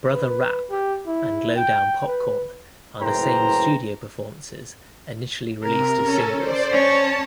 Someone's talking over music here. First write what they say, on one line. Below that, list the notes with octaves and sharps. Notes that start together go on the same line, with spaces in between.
"Brother Rapp" and "Lowdown Popcorn" are the same studio performances initially released as singles.
B4
G4
E4
G5
B4
F#1 A2 E3 C5 G5 A#5
C3 A#4
C#4 A4
C5 D5
C#4 C#5 A5